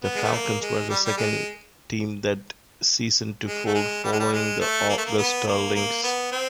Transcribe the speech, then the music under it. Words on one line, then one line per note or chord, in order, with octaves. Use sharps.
The Falcons were the second team that season to fold, following the Augusta Lynx.
B3
G#3
A3
A#3
G#3
G3
G3
G#3
G#3
A3
G#3
G3
G#3
G3
G#3
A3
A#3
A3
A#3
B3
A#3
A#3
B3
C4